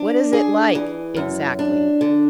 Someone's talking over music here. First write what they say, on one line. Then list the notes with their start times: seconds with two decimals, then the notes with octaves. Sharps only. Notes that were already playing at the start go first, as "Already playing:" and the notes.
"What is it like--exactly?"
Already playing: D4
0.33 G#4
0.75 E3
1.17 F#2
1.59 D4
2.01 D3